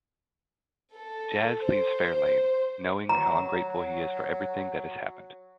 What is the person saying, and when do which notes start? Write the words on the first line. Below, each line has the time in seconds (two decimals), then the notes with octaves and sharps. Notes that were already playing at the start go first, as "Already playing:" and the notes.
Jazz leaves Fairlane, knowing how ungrateful he is for everything that has happened.
0.95 A4
1.64 C5
3.09 F#3 A#5